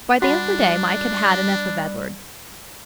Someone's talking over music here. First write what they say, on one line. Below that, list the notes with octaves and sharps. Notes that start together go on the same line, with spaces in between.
By the end of the day Mike had had enough of Edward.
G3 D4 F#4 F#5 B5